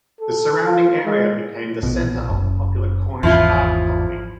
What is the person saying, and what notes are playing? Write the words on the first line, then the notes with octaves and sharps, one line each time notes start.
The surrounding area became the center of the popular Cornish Art Colony.
A4
F4
G#3
A#1 B2
F#1
G#1 E2 F3 E4 F4